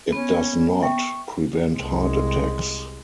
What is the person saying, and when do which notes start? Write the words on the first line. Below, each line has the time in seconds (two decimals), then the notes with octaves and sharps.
It does not prevent heart attacks.
0.12 B3 C#4
0.83 E5 G5 C#6
1.76 C2 G#3